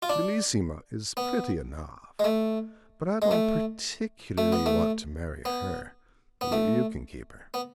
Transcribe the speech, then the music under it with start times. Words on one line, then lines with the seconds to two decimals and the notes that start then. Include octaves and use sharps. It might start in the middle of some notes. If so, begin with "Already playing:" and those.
"Bellissima is pretty enough, but I don't particularly want to marry her--you can keep her."
0.02 F4
0.09 D4
1.17 B3
2.19 G#3
2.24 A3
3.22 G#3
3.31 A3
4.38 A3
4.52 B3
4.66 A3
5.45 B3
6.41 B3
6.52 A3
7.54 B3